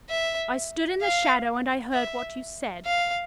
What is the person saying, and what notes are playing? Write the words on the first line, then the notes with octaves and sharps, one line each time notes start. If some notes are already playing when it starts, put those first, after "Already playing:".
I stood in the shadow, and I heard what you said.
E5
F5
E5
F5